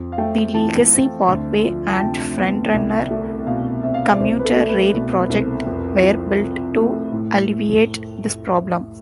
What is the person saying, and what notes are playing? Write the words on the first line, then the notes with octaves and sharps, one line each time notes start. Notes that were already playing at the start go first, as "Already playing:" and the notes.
The Legacy Parkway and "FrontRunner" commuter rail project were built to alleviate this problem.
Already playing: F2
F5
A3 G5
E3 A5
C4
D2
F3
A5
C3 G5
B3
C2
A3
B2 F5
C4 E5
F5
E5
D5
C2 C5
B4
A4
A3
B4
B2
C2
F2
F3
C3
A3
A2